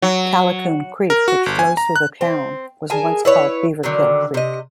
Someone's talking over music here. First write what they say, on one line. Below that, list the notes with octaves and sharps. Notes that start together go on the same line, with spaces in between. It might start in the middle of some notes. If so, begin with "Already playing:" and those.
Callicoon Creek, which flows through the town, was once called Beaverkill Creek.
F#3
A#4
F#4
G1
G#5
A#5
F#6
C4
G#4 A#4 G#5 A5
E4 B4 C#5
D3 D#3 F#3
C3 D#5